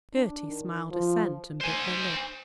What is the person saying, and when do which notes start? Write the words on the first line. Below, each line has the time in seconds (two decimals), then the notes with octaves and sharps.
Gerty smiled assent and bit her lip.
0.13 D4
0.48 D#3
0.91 F3
1.61 C5 G#5